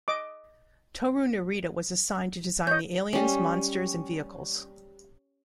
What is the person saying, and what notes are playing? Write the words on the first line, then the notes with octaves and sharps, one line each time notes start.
Tohru Narita was assigned to design the aliens, monsters, and vehicles.
D#5 D6
C#5 D#5 G6
G3 C#4